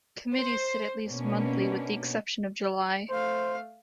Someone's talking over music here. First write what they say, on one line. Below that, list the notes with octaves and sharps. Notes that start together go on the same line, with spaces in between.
Committees sit at least monthly with the exception of July.
C5
B2 A#3 C#4 D4
A3 C5 F5